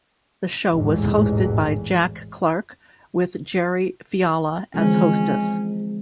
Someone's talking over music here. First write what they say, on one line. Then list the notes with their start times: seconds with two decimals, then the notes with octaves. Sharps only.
The show was hosted by Jack Clark, with Jerri Fiala as hostess.
0.67 A1 E2 G#2 B2 E3
4.74 D3 E3 F3 G#3 C4 C#4